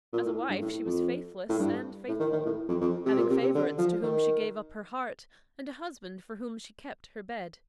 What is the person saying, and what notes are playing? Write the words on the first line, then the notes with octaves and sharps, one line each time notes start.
As a wife she was faithless and faithful, having favourites to whom she gave up her heart, and a husband for whom she kept her bed.
A#2
A2
G2
A2
F2
A2
G2
A2
D#3
D#3
A2
F2
F2
C3
A#2
C3
C3
D3
F3
D#3